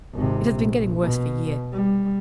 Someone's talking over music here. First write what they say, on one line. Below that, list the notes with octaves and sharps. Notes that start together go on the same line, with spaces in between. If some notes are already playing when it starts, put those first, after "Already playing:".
It has been getting worse for years.
G#1 C3
A#1
B2
G3